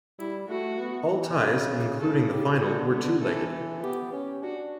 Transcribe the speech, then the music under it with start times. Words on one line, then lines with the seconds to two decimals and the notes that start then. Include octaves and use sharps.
All ties, including the final, were two-legged.
0.19 G3 E4
0.48 A3 F#4
0.80 B3
1.09 E3
1.40 C#3
2.01 C#3 A4
2.31 G4
2.60 D3 F#4
2.91 D3 B3
3.21 E3 A4
3.82 B3 G4
4.12 C#4 G4
4.43 D4 F#4